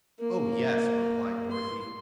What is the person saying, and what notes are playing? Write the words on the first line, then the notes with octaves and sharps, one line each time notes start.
"Oh, yes," replied Dorothy.
A#3
C6